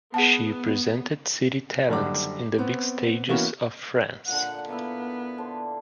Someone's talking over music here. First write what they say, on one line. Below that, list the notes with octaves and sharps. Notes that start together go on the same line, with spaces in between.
She presented city talents in the big stages of France.
B3 G#4 F#5 A5
F#1 D3 G3 F#5 D6
B3 C4
E3 A#3 B3 C#4 F#4
A#2 D3 F#5
A#3 B3 E4
D3 D4 C5